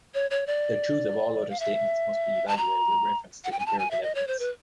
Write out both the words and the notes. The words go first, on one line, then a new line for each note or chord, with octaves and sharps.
The truth of all other statements must be evaluated with reference to empirical evidence.
C#5
C#5
D5
F5
E5
A5
A#5
F#5
G5
G#5
A5
G#5
E5
D#5
C#5
C5
B4